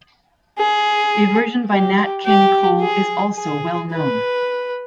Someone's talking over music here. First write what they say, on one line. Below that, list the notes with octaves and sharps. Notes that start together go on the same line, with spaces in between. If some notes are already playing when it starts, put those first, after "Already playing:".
A version by Nat King Cole is also well known.
G#4
G4
G4
G#4
G#4
B4